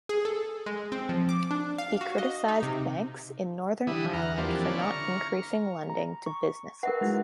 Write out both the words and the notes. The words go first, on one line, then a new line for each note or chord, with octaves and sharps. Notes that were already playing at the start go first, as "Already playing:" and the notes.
He criticised banks in Northern Ireland for not increasing lending to businesses.
G#4
A4
G#3
C4
F3
D6
D4
F5
F#4
D#5
D#4
C3
D3 E3 G3 E4 D#6
E2 F#5 A#5 F6
E3 F3 G3 A#3 C4 D4
D3 C#4 E4 D5
A#5 C#6 F6
A#5
C#6
A#4 B4 E5 F#5
G#3 D#4 E4 F#4